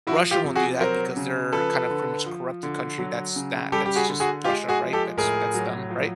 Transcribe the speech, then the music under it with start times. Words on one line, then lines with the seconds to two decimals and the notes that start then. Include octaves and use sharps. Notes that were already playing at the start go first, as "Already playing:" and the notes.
Russia won't do that because they're kind of pretty much a corrupted country, that's that that's just Russia, right? That's that's them, right?
0.07 F3 E4 F#4
0.31 F4 G4
0.44 C3
0.55 F#4 G#4
0.80 F#3 A#4 C5
1.17 C#3
1.52 F3 A4 B4
1.90 D3
2.26 F3
2.63 D3
2.99 F#3
3.36 C#3
3.72 G3 G4 A4
3.86 G4
3.96 F#4 G#4
4.09 D3
4.20 F#4 G#4
4.44 G#3 F4 G4
4.69 F#4 G#4
4.82 F3
4.93 G4 A4
5.17 A2 G#4 A#4
5.54 F#3
5.90 F3